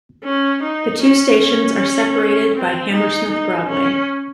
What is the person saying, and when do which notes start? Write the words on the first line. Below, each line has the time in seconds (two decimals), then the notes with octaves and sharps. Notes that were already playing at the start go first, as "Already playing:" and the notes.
The two stations are separated by Hammersmith Broadway.
0.24 C#4
0.63 D#4
1.01 C#4
1.40 C#4
2.55 C4
2.93 D#4
3.31 D#4
3.69 C#4